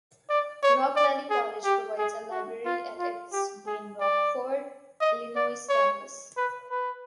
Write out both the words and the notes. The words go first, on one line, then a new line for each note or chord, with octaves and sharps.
Rock Valley College provides a library at its main Rockford, Illinois Campus.
D5
C#5
D5
G#4
G4
G#4
F#4
F4
F4
G4
G#4
D5
D#5
D5
C#5
B4
B4